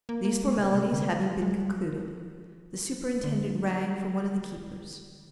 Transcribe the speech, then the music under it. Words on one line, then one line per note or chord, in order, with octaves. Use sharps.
These formalities having been concluded, the superintendent rang for one of the keepers.
A#3
A#3
G#3
C3
C3
D3
G#3
G#3
G3
F3
D3